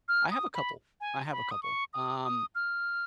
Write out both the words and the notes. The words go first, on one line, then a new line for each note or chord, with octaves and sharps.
I have a couple, I have a couple, um
F6
D#6
B5
G#5
B5
D#6
C#6
D#6
D#6
F6